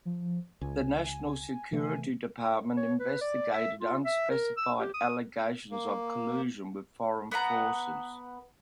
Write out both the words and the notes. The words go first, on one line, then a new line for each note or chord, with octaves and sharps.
The national security department investigated unspecified allegations of collusion with foreign forces.
F3
C#2 G#5
C3 E3 A3
C#5
B4
D5
E5
F4
E5
A#4
E6
G4
D#6
A#3
B3 B4 F#5 A#5